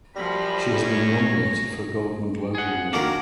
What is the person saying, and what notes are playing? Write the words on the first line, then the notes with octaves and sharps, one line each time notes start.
She has been nominated for a Golden Globe Award.
F#2 F3 G3 B5 A#6
C#5
G#4 F#5
D#3 A#3 D4 F#4 A#4